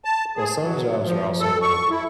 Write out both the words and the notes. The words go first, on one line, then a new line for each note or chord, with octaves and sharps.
well, some jobs are also
A5
G#4
F#3
F3
A4
C#6
E4